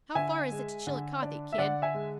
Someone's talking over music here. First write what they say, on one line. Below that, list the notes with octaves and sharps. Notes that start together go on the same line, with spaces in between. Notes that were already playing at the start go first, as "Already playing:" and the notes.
"How far is it to Chillicothe, kid?"
D3 E5 G#5
G#3
D3
D4
E5
D3 D5 F#5
E5 G#5
G#3